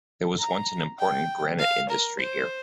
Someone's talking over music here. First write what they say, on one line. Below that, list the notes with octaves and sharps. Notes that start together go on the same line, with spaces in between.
There was once an important granite industry here.
A#5
G5
F5
A#4
C5